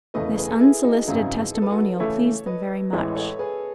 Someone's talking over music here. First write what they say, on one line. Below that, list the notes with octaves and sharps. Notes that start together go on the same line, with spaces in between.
This unsolicited testimonial pleased them very much.
E1 E2 C#3 E3 A3 B4 D#5
G#4 B4
A4
E4 G#4
D#4 F#4
G#1 F#2 C#3 F#3 E4 G#4
A4
B4
F#4 A4
C#3 E3 A3 E4 A4 C#5
B4 D#5
A1 A2 E3 G#3 C#5 E5
A4 C#5
G#4 B4